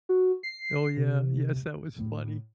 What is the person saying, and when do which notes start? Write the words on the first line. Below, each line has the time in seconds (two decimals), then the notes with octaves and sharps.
Oh, yeah, yes, that was funny.
0.09 F#4
0.43 C7
0.97 C3
1.99 A2